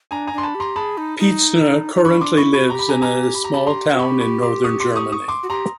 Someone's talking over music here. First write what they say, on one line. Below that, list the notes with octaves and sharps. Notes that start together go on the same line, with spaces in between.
Pietzner currently lives in a small town in northern Germany.
D4 G#5 A#5
G#5 A#5
D4 C6
A5 B5
G4
A#5 C6
G#4 A5 B5
D#4
D#4
D#4
D4 B5 C#6
D4 C6 D6
E4 B5 C#6
F#4 B5 C#6
G4 A#5
B5
G#5 A#5
G#5 A#5
B5
A#5
A5 B5
A#5 C6
F#4
G4 B5 C#6
B5 C#6
C6 D6
C#6 D#6
C6 D6
C#6 D#6
C#6 D#6
C6 D6
F#4
G4 A#5 C6